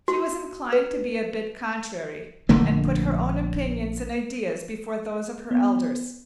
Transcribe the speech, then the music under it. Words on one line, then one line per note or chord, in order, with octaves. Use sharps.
She was inclined to be a bit contrary, and put her own opinions and ideas before those of her elders.
F#4
B4
A#1 D3 A3 A#3
B3